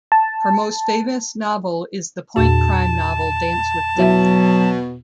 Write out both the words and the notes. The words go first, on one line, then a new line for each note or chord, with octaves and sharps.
Her most famous novel is the Point Crime novel "Dance with Death".
A5
E2 A#2 F#4 A5
B2 F#3 E4 F#4 E5